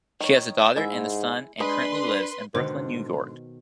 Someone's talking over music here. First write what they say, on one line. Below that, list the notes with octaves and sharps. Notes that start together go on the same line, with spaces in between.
She has a daughter and a son and currently lives in Brooklyn, New York.
D#3 C#5
G#2 G#3 E4 E5
G#3 D4 B4 D#5 B5 C6
G#2 B2 D3 D#3 C5